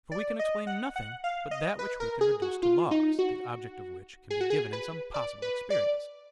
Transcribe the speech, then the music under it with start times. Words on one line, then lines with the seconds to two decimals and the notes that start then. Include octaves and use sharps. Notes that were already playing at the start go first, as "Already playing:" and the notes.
For we can explain nothing but that which we can reduce to laws, the object of which can be given in some possible experience.
0.12 D5
0.39 D#5
0.67 F#5
0.96 F#5
1.24 F5
1.51 D#5
1.79 B4
2.00 A#4
2.21 G#4
2.42 F#4
2.63 F4
2.91 D#4
3.19 F#4
4.30 G#4
4.41 F#4
4.50 G#4
4.73 B4
5.14 D5
5.42 B4
5.70 D5